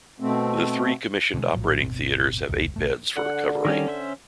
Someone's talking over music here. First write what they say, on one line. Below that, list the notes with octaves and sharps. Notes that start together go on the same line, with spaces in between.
The three commissioned operating theatres have eight beds for recovery.
B2 A3 C4
B2 D3 F3 G#3
A#1 A2 F3 F#3
D1 G1 B2 C4
F1 C#2
B1 F2 A3
D3 F#5
D#3 G3 C#4
C#4 C5 E5